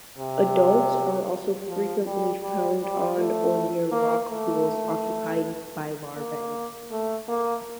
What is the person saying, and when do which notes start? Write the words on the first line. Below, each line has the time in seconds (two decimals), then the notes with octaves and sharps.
Adults are also frequently found on or near rock pools occupied by larvae.
0.18 C3
1.69 F3
2.05 G3
2.43 G3
2.81 G3
3.18 A3
3.92 A#3
4.29 A3
6.16 A#3
6.90 A3
7.28 A#3